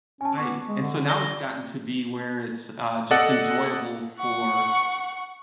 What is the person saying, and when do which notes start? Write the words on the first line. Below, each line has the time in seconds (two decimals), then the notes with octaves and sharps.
Right, and so now it's gotten to be where it's, uh, just enjoyable for
0.21 C#4 G#5 A5
0.38 B3 C#6 D6
0.68 G#3
0.81 D3
1.09 D5 A#6 G7
3.11 A4 D5 D#5 F#5
4.17 F#5 C#6